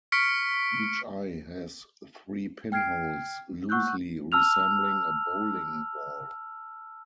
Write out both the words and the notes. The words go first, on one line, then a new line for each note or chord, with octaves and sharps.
Each eye has three pinholes, loosely resembling a bowling ball.
C#6 F6 B6 C#7 D7
G5 F6 G#6 C7 D7
F#5 C#6 E6 F#6 G6
A5 E6 F6 F7